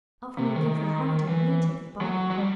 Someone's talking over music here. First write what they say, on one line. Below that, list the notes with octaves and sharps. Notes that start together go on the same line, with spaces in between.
Often you give the heart, and we take the body.
C3
D#3
E3
F#3
F#3
G3